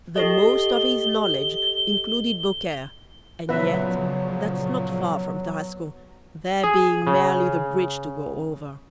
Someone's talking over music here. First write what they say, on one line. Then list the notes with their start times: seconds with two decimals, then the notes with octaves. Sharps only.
The most of his knowledge included Beaucaire, and yet that's not far from Tarascon, there being merely the bridge to go over.
0.16 G4 A4 D#5 G7
3.49 A#2 C#3 F3 F#3 B3 B4 E5
6.64 G#4
7.07 C#3